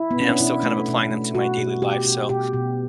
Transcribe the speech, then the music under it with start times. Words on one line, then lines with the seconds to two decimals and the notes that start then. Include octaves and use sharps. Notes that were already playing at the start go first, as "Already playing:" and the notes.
and I'm still kind of applying them to my daily life, so,
Already playing: E4
0.11 B3
0.16 B2 C#4
0.30 D4
0.40 B2 E4
0.63 A3
0.88 B2
1.11 A3
1.35 B2 F#4
1.58 B2
1.82 B2 G4
2.06 B2
2.29 B2 G4
2.53 B2